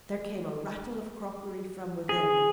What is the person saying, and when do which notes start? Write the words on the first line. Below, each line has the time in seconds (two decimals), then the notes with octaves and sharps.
There came a rattle of crockery from within.
2.09 G#4